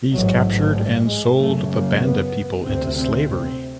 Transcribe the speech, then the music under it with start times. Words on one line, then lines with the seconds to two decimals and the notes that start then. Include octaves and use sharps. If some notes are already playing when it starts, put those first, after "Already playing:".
These captured and sold the Banda people into slavery.
0.12 A1 G#2 F#3
0.76 G3
1.07 G#3
1.38 F#1 F#2 C#3 A3
1.70 A#3
2.01 B3
2.64 D2 C3 C4
2.96 C4
3.27 C4